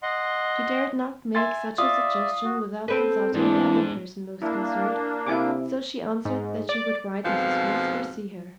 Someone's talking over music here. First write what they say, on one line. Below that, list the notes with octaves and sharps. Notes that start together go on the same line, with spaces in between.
She dared not make such a suggestion without consulting the other person most concerned, so she answered that she would write Mrs. Smith or see her.
D#5 F#5 C6
E5 G#5 C6 A6
F4 D5 E5 D#6
F#4
C4 A4 B4
E2 G#2 E3 D4
A#3 D4 E4
C3 E4 G#5 D6
G#2
D5
F2 G#2 B2 F3